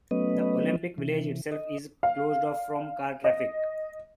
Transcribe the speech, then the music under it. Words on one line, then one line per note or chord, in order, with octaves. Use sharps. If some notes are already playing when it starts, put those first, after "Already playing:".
The Olympic Village itself is closed off from car traffic.
F#3 A3 B3 C#4 B4 D#5
C3 E3
D#5
F5
D#5